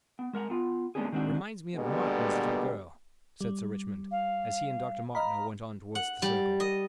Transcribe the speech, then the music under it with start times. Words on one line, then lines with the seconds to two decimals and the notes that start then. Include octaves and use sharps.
"Reminds me of Martin's little girl," said Sir Richmond, as he and Dr. Martineau went on towards the circle.
0.19 B3
0.33 G#3 A#4 F#5 A#5
0.50 B3 F4
0.95 G#3 A#3 B3 C#4 D4 G#4
1.12 D#3 G#3 C4 D4 F#4
1.75 B2 D3 G3 G#3 A#3 B3
3.41 G3
4.11 F5
5.15 D#5 F5 A#5 B5
5.95 F#5
6.22 G3
6.60 D#5